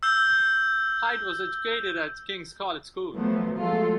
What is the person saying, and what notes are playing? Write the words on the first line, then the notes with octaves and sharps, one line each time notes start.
Pite was educated at Kings College School.
E6 G6 G7
F3 F#3 A3 B3 C5
F3 F#3 G#3 A3 F4 A4